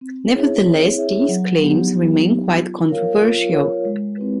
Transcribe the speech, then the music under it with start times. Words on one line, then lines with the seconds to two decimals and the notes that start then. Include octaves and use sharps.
Nevertheless, these claims remain quite controversial.
0.01 C4
0.33 E4 G#4 C#5 E5
0.65 C4
0.97 E4 G#4 C#5 E5
1.28 F#3
1.61 B3 D#4 G4
1.92 F#3
2.26 B3 D#4 G4
2.57 F4
2.89 A#4 C#5 F5
3.21 F4
3.53 A#4 C#5 F5
3.85 G#3
4.17 C4 E4 G4 B4